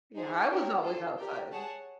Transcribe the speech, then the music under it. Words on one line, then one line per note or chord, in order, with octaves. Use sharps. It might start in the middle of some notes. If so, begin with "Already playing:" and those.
Yeah, I was always outside.
D#4 G#4 C5
D4 G4 A#4 C#5
F4 A4 C5
G4 A#4 D5 G5
G#4 C#5 F#5 A5